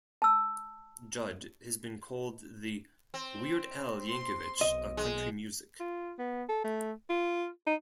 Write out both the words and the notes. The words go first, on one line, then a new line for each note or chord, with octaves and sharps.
Judd has been called the "Weird" Al Yankovic of country music.
A5 E6
C4
C6
B1 D#5
G#3
F4
B3
A4
A3
F4
D#4